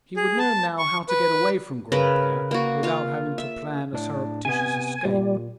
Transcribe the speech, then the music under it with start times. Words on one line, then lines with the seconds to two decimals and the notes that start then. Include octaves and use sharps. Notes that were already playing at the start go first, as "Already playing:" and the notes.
He would know now how to get away from Granpere without having to plan a surreptitious escape.
0.17 G#4
0.39 A5
0.78 C#6
1.09 B4
1.92 C#3 A#4 B4
2.51 A#3 F#4
2.83 F4 F5
3.38 E5
3.93 A2 D4
4.45 C3 B3 G#5
5.05 A#2 G3